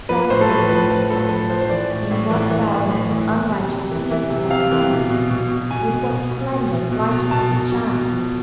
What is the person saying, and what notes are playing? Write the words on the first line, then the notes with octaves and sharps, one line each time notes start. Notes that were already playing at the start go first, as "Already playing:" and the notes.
'Thou seest, then, in what foulness unrighteous deeds are sunk, with what splendour righteousness shines.
F3 B4
A2 C5
A4
A2 B4
F3 B4
F3 B4
A2 A4
A2 B4
F3 C5
C5
E3 D5
A2
A2
E3
E3
A2
A2
E3
E3
C3
C3
E3
E3 E5
C3
C3 F5
E3
B2
B2
B2
B2
B2 G#5
B2
B2
B2
B2
B2
B2
B2
B2 A5
B2
B2
B2
F3